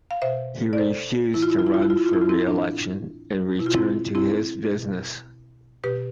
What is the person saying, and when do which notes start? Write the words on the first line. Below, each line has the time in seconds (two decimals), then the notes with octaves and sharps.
He refused to run for reelection, and returned to his business.
0.11 F5
0.22 B2 C5 E5
0.73 D5
0.78 A4 C5
1.34 A2 E3 E4
1.42 F4
1.50 E4
1.59 F4
1.67 E4
1.74 F4
1.82 E4
1.90 F4
1.97 E4
2.06 F4
2.13 E4
2.22 F4
2.29 C4 E4
2.47 A2 E3 D4
3.59 B2 E4
3.66 F4
3.74 C4 E4
4.15 C4 E4
4.72 B2
5.83 B2 G4 B4